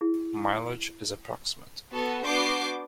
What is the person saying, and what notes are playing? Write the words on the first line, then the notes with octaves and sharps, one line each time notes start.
Mileage is approximate.
E4 G#4
B3 F#4 A4
B3 D4 F#4 D6 G6 C7